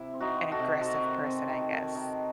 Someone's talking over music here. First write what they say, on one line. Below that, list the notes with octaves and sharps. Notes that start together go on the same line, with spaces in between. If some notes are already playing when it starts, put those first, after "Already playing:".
an aggressive person, I guess.
Already playing: C3 E4
C4
D#4 F#4
C4
F#4 A4
C3
C4 F#4 A4
D#3
C4
D#3
D#3
D#3